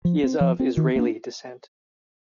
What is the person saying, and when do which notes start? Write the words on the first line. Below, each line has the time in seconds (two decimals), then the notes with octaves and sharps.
He is of Israeli descent.
0.05 F3
0.23 C4
0.41 F3
0.59 C4
0.77 D#3
0.96 A#3 D4